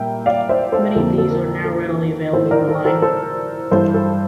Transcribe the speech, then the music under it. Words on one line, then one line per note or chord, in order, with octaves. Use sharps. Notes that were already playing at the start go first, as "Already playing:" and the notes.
Many of these are now readily available online.
Already playing: A#2 G3 A#3 E5 G5
D5 F5
C5 E5
A4 C5
F2 D3 F3 A#3 A4
A4
A#4
A4
A2 E3 A3 A4 C5
A#4 D5
A4 C5
A4 C5
A4 C5
G2 E3 G3 A4 C5
A4